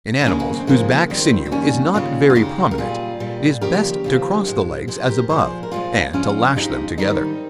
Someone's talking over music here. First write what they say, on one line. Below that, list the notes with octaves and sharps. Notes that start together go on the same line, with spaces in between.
In animals whose back sinew is not very prominent, it is best to cross the legs as above, and to lash them together.
D#4
D#2 C#3 F3 G#3 A#3 C#4
A#3 C#4
C4
D#2 C#3 F3 G#3 A#3
F2 D#3 G3 C4
C4
F2 D#3 G3 A#3 C#4
D#2 C#3 G#3 C#4 F4
F4
D#2 C#3 G#3 D#4 G4
A#4
A#2 G3 F4 G#4
A#2 G3
D#2 C#3 F3 G4 A#4
D#2 C#3 F3
G#2 F3 G#3
G#2 F3 G#3 G#4 C5
G4 A#4
A#2 F3 G#3 G#4 C5
A#4
A#2 F3 G#3 F4 G#4
G2 F3 G#3 C#4 F4
G2 F3 G#3 D#4 G4
G#2 D#3 G3 C4 D#4